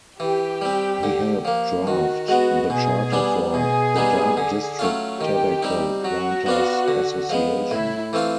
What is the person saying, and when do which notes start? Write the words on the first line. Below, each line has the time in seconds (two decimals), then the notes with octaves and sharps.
He helped draft the charter for the Dark District Tobacco Planters Association.
0.20 E3 G4
0.62 G3 C4
1.03 D3
1.45 F3 A#3
1.87 D#3 F#4
2.28 G#3 B3 F#4
2.70 B2 G#4
3.12 G3 B3 D4
3.54 B2 G#4
3.96 G3 B3 D#4
4.37 D3
4.79 F#3 A3 C#4 F4
5.20 D#3 G4
5.62 G3 C4 D#4
6.04 F#3 F#4
6.46 B3 D4 F4
6.88 D3
7.29 F3 G#3 B3
7.71 A2 E4
8.13 E3 A3 C4 F4